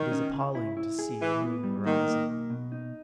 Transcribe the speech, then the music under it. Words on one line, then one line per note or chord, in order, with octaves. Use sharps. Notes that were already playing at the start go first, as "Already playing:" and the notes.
It is appalling to see a new horizon.
Already playing: D#3
C#4
C#2
E4
E4
G#4
E3 E4
B3
G3
D#3 A#3
A#3
B1
B2
D#4